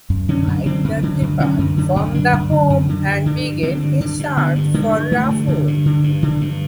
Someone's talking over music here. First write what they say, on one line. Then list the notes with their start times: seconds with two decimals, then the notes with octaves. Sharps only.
Mike then departs from the home and begins his search for Rafo.
0.10 F#2
0.29 D3 C#4
0.47 F#2
0.66 D3 C4
0.84 F#2
1.03 D3
1.22 F#2
1.40 D3 C#4
1.58 F#2
1.77 D3
1.96 F#2
2.14 D3 D4
2.33 F#2
2.51 D3
2.70 F#2
2.89 D3
3.07 G2
3.26 D3
3.44 G2
3.63 D3 C4
3.81 G2
4.00 D3
4.19 G2
4.37 D3 B3
4.55 G2
4.74 D3 G#3
4.93 G2
5.11 D3 A3
5.30 G2
5.48 D3
5.68 G2
5.86 D3
6.04 G2
6.23 D3
6.41 G2